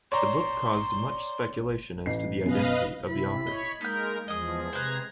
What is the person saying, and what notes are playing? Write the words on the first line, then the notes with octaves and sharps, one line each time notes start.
The book caused much speculation as to the identity of the author.
C#5 D5 A#5 C6
A1 C7
F#2 B2 B4 D#5 F5
C3 E4 B5
C#5 D#5
G#3 A#3 D#4 A#4 G6
E2 F3 G#3 G#4 D#5 D#6
C3 B4 C5 A#5 G#6